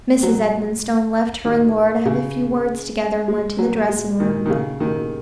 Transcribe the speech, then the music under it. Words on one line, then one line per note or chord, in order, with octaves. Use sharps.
Mrs. Edmonstone left her and Laura to have a few words together, and went to the dressing-room.
F#3
D#3
C#3
G#3
F#3
G#3
D#3
D#3
C#3
D#3